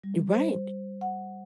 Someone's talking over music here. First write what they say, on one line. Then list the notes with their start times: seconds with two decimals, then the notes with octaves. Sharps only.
You right.
0.04 G3
0.33 C5
1.01 F#5